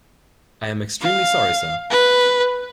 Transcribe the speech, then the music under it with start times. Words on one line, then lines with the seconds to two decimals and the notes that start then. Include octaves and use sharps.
I am extremely sorry, sir.
1.02 F5
1.91 B4